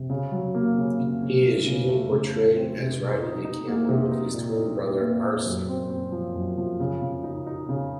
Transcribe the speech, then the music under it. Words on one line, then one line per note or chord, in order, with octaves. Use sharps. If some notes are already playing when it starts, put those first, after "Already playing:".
He is usually portrayed as riding a camel with his twin brother Arsu.
Already playing: C3
C#3
F#3
A#3
C#3
C#3
C#3
A3
C#3
A3
C#3
A3
C4
C3
C3
D#4
D#4
A#3
C3
D#4
A#2
D#4
D#4
A#3
A#2
F#2
C4
C4
F3
F#2
F3
C#3
C#3
D#4
D#4
C#3